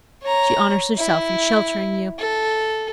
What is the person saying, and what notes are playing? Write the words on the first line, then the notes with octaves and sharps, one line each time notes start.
She honors herself in sheltering you.
C#5 A#5
E4
A4